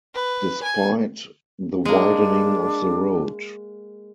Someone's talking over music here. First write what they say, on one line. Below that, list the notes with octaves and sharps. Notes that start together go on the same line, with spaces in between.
Despite the widening of the road.
B4
G#5
G#3 A#3 D4